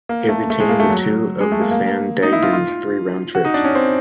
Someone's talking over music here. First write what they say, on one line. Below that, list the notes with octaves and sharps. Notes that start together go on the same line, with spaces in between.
It retained two of the "San Diegan's" three round-trips.
A#3
A3
A3
G#3
A#3
A3
F#3
G#3
A3
A#3
A#3
D#4
E4
F4
F4
F#4
D#4
D4
C#4
C4